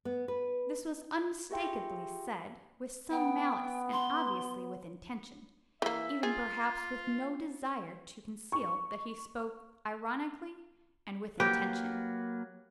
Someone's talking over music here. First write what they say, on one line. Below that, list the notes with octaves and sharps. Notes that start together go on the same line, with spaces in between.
This was unmistakably said with some malice and obviously with intention; even perhaps with no desire to conceal that he spoke ironically and with intention.
B3
B4
F4 G4 G#4 E5 G5 C6
B3 G5
C6
E3 A#3 E5
F4 G#4
C#6
F#3 A#3 G4 B4